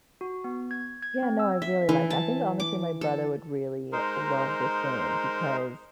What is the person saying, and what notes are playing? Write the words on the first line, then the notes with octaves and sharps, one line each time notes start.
Yeah, no, I really like that, I think, honestly, my brother would really love this game because
F#4
B3
G#6
G#6
C4
E6
E5
E3
A5
D6
A4
G#3 D#4 A#4 C5